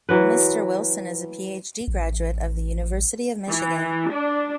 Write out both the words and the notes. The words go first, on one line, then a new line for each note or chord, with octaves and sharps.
Mr. Wilson is a Ph.D. graduate of the University of Michigan.
E3 F#3 B4
A1
E3
D4